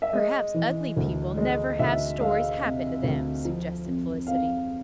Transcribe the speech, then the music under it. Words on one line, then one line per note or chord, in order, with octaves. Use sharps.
"Perhaps ugly people never have stories happen to them," suggested Felicity.
E5
G#3 D#5
E3
D2
G#3
D2 E5
G#3 F5
C3
D2
F3
F2
F2 F5